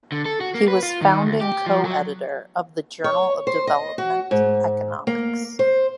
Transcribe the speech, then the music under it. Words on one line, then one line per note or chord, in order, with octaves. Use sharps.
He was founding co-editor of the Journal of Development Economics.
D3
A4
F#4
A#3
B4
F4
D#3
D2
G4
F3
F#3
C#5
C5
D#5
F#4
G#2
A#3
C5